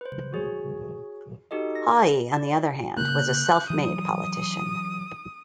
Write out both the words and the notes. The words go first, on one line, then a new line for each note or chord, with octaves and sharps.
Haughey on the other hand was a self-made politician.
B4 C5
F#4 G#4 C#5
D#4 F#4 G4 A4 D#5
A#6
D5
C#3 A#3 F#6 G6
E3 F#3 D#6